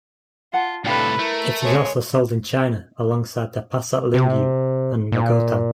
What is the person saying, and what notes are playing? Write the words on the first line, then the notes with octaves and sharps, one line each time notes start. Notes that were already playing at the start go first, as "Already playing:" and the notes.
It is also sold in China alongside the Passat Lingyu and Magotan.
F4 F#5 A5
A2 C3 D4 G4 A4 B4 F5
A3 E4 A#4
G#3 A4 C#5
C3
A#2